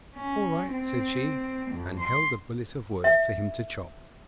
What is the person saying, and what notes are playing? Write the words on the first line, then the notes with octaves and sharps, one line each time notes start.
'All right,' said she, and held a billet of wood for him to chop.
C#4
C4
F2
C6
E5